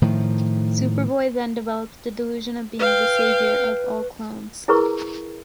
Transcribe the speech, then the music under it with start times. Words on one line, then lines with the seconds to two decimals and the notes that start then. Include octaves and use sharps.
Superboy then develops the delusion of being the savior of all clones.
0.02 A2 D#3 F3
2.79 B4 F5 G5
4.68 E4 G#4 A#4 B4 A#5 C#6